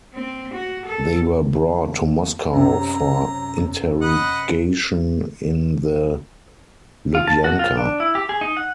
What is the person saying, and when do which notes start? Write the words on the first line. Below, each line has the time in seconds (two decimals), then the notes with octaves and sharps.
They were brought to Moscow for interrogation in the Lubyanka.
0.14 C4
0.54 F#4
0.86 A4
2.53 F#2 C3 A#5
4.02 B4 D#5 F#5
7.15 F4
7.27 A5
7.44 F#4
7.59 F4
7.77 D4
8.00 E4
8.15 G4
8.29 G#4
8.41 D#4
8.57 F#5